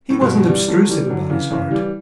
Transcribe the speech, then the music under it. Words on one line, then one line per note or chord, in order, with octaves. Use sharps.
He wasn't obtrusive about his heart.
A2
G2 B2
E3 G3
F#3 A3
E3 G3
D3 F#3
C#3 E3
C#3 E3
E3 G3